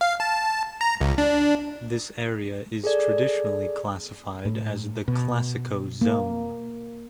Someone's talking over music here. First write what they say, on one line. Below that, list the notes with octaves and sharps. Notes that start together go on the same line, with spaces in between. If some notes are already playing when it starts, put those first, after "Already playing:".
This area is traditionally classified as the "classico zone".
F5
A5
A#5
C#2
D4
G#4 A4 D5
A2
B2
A#3